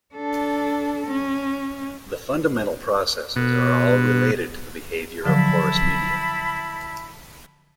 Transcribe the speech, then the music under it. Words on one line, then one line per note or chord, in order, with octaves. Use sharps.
The fundamental processes are all related to the behaviour of porous media.
D4 A4
C#4
B2
D3 F3 F#3 E4 A5 B5